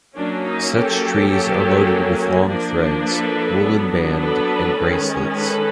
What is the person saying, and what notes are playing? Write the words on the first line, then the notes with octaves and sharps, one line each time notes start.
Such trees are loaded with long threads, woollen band, and bracelets.
F#3 A#3 C#4 D4
D#4
G4 A4
F#3 A#3 C#4
F3 A#3 D4
A4 B4
F#3 B3 D4
A4 B4
D#3 G#3 C#4
A4 B4